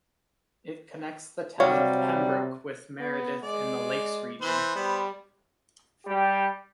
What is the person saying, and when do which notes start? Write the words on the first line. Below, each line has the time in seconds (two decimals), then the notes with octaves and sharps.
It connects the town of Pembroke with Meredith in the Lakes Region.
1.60 C3 F#3 G3 C#5 D5 F5
3.00 B3
3.43 G#3 D5
4.41 E3 C5
4.76 G3 B3 C5
6.07 G3 G4